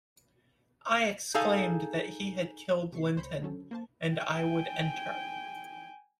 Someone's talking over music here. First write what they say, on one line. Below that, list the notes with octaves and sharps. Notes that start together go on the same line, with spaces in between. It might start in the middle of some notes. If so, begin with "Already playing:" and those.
I exclaimed that he had killed Linton, and I would enter.
D#4 G#4 A4 F5 G#5
C3 A3 C#6 C7
C#2 C5 C#5 B5 G6 C#7
D3 F#3 C#4 A4
A#3 C5 A5
G5 G#5